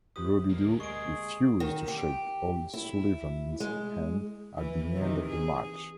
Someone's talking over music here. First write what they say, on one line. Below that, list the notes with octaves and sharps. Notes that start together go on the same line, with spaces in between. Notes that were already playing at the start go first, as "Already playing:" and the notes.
Robidoux refused to shake O'Sullivan's hand at the end of the match.
C3 G4 B4 D#6
D2 A#3
G#3 G#4 C#6 D7
D#3
G4
E4
G#3
E3
C3 D#3
G#4